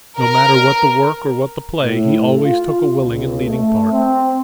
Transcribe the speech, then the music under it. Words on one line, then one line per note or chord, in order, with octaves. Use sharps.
No matter what the work or what the play, he always took a willing and leading part.
A#4
A2
F4
C#2
A3
C4